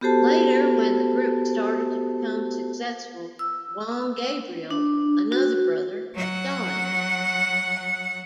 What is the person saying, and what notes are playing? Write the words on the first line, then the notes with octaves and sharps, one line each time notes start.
Later, when the group started to become successful, Juan Gabriel, another brother, joined.
B3 F#4 G4 A4 C5 A5
E6
D4
F#4
F#3 F#5